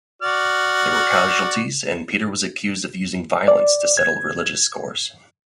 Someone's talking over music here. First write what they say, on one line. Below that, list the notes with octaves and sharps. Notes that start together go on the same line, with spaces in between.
There were casualties and Peter was accused of using violence to settle religious scores.
F#4 D5 F6
D5
G#6